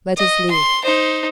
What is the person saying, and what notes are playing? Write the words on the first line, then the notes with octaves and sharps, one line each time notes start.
Let us live.
D#5
C6
D#4 C5